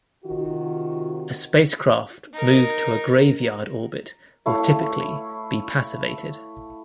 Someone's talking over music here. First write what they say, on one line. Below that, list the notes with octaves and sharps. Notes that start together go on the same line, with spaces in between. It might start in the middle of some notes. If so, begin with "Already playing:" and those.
A spacecraft moved to a graveyard orbit will typically be passivated.
C3 D#3 F4 F#4
D#4 A#4
A3 E4 C#5 F5